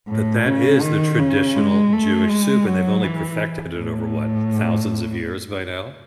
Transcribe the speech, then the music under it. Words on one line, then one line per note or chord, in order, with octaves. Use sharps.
tha that is the traditional Jewish soup, and they've only perfected it over, what, thousands of years by now?
A2
C#3
D#3
C#3
G#3
A3
G#3
F#3
E3
A2